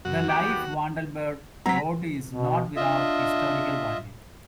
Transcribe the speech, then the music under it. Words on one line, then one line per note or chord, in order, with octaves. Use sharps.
The life Wandelbert wrote is not without historical value.
F#2 F#4
D#2 B3 F#4 G4 G5
F#3 C4 A#5 B6
B2
D4 F4 D#5 E5